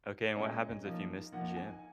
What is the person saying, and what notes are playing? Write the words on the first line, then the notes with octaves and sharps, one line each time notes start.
Okay, and what happens if you miss the gym?
A#2 G#3 C#4 D#5
F3 A#3 D#4
F3 A#3 D#4 F#5
F#5
G#5